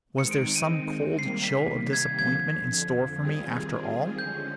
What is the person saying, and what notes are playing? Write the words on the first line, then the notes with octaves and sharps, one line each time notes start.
Was there some cold chill of disappointment in store for me, after all?
D#3 G#3 C4 D#4 C#7
D7
D#7
C3 D#3 G3 A#3 C7
B6
G#6
F2 D3 F3 G#6
D#3 G3 C4 F4 G#4
D3 F3 G#3 C#4 G6